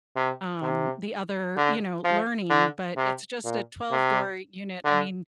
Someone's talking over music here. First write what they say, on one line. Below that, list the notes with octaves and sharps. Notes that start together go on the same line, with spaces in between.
um, the other, you know, learning, but it's just a twelve-door unit. I mean,
C3
C3
D3
F3
D3
C3
A#2
C3
D3